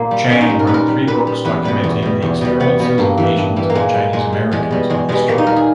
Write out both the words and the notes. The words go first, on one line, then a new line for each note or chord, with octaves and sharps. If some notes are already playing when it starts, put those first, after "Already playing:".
Chang wrote three books documenting the experiences of Asians and Chinese Americans in history.
Already playing: A#2 A#3
G3
A#2 C#4
D#4
G3
A#4
A#2 B4
A#4
G3
A#2 B4
G3
E2 B4
B2 G3 B4
E2
B2 G3
E2
B2 G3
E2 B3
B2 G3 B3
G2 A#3
E3 G3
G2
E3 G3
A#3
A#2 G#3
G3
A#2 G#3
G3
E2 G#3
B2 G3
E2 G#3
B2 G3 G#3
A#2 A#3
D#4
G3 A#4
G#4